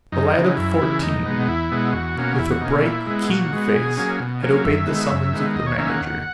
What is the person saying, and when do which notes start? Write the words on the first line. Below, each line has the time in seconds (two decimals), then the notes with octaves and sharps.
A lad of fourteen, with a bright, keen face, had obeyed the summons of the manager.
0.12 F#2 D#4
0.34 C#3 E3
0.57 F#2 E4
0.81 C#3 E3
1.03 E2 D#4
1.26 B2 G#3 B3
1.48 E2 E4
1.71 B2 G#3 B3
1.93 E2 F#4
2.16 B2 A#3 C#4
2.39 E2 E4
2.51 F#4
2.61 B2 A#3 C#4 D#4
2.84 A#2 E4
3.06 G#3 B3
3.29 A#2 F#4
3.52 G#3 B3
3.75 B2 G#4
3.97 F#3 A#3 C#4
4.19 B2
4.42 F#3 A#3 C#4
4.65 F#2 E5
4.87 D#3 G#3 B3
5.11 F#2
5.34 D#3 G#3 B3
5.55 D#2 D#5
5.66 C#5
5.78 D#3 A#3 C#4 E5
5.89 F#5
6.00 D#2